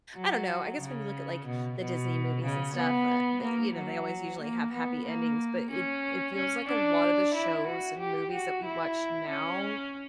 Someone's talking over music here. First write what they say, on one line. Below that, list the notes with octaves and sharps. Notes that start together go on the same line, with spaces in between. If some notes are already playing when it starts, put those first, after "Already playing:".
I don't know, I guess when you look at, like, the Disney movies and stuff, uh, the you know, they always usually have happy endings, but it it feels like a lotta the shows and movies that we watch now,
F#3
C#3
B2
B2
C#3
B3
A#3
F#3
A#3
B3
A#3
C#4
C#4
D4
E4
F#4
G4
F#4
E4
C#4